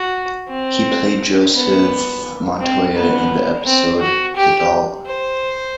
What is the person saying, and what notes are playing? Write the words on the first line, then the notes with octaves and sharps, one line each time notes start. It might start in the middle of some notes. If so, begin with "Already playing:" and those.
He played Joseph Montoya in the episode "The Doll".
Already playing: F#4
C4
B3
C4
B3
C4
F#4
G4
C5